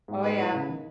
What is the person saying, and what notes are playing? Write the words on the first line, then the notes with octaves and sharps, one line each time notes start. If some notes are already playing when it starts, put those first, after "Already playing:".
Oh, yeah.
G#2
G#2 B4
A2
C#3
D#3